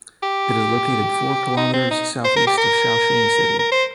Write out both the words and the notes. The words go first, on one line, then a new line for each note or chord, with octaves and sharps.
It is located four kilometers southeast of Shaoxing city.
G4
D#4
C4
D#4
C5
A#4
G4
A#4
A#4
C5